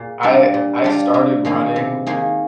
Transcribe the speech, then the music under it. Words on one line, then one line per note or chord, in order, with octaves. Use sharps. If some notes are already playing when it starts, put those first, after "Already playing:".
I I started running,
Already playing: A#2 G#4
G3 D4 F4
A#2
G3 D4 F4
C3
D#3 A#3 D#4 G#4
C3
D#3 A#3 D#4 G#4